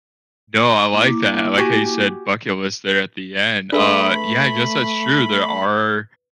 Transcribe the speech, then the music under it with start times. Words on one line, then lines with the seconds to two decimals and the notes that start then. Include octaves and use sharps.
No, I like that, I like how you said "bucket list" there at the end. Uh, yeah, I guess that's true, there are
0.93 A#3 E4 D6
1.57 F#4 G4 G#5
3.73 A3 D4 G#4 A4 B4 E5 B5 C6